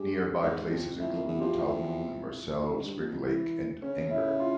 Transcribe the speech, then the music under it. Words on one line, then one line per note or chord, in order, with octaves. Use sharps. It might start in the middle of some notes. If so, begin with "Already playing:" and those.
Nearby places include Talmoon, Marcell, Spring Lake, and Inger.
Already playing: G2 G4 G#4
G#2
F2
F2 E4
F2 A#4
E2 G#4
G4
F2 F4
E4
F2
G#2
G2
F2
F2
E3
C#3 C#4
E4
F4